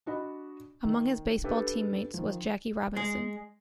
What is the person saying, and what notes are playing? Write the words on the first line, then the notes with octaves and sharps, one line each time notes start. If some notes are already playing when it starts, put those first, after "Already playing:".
Among his baseball teammates was Jackie Robinson.
D4 F#4 D#5 B5
D#3
D4 G4 A4 B4
D#3 F3
G#3